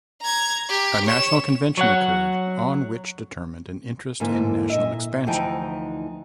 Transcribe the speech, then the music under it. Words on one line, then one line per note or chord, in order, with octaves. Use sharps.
A national convention occurred on which determined an interest in national expansion.
A#5 G#6
G4
C#5 E7
F#3 C#5 F#5
G#2 D3 E3 A#3
A#2 D#5 E5
D2 E3 F3 D#4 F#5 G5